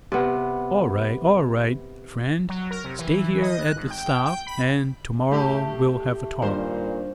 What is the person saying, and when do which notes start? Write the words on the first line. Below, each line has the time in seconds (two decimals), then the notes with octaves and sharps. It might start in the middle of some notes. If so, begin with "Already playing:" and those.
"All right, all right, friend, stay here at the staff and tomorrow we'll have a talk."
0.12 C3 B3
2.49 F#3
2.71 A#4
2.84 C3
2.99 E3
3.42 D#5
3.59 F#6
3.76 G#1
3.90 G5
4.26 G5
4.47 B5
5.31 A2 A3 G4
6.42 G2 A#2 D#3 C5